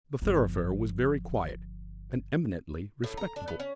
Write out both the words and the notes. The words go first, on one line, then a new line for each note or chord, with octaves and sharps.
The thoroughfare was very quiet and eminently respectable.
G1 F3
A2
A#5
D4
B3
C#4